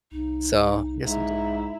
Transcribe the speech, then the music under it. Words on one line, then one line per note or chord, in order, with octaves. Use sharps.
So, yes, I'm doing work
C2 D#4
B1 G#2 E4 A#5